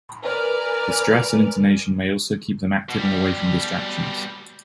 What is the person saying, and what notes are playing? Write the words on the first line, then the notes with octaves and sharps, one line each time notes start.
The stress and intonation may also keep them active and away from distractions.
A#4 B4 D5 G#5 F6
B2 G3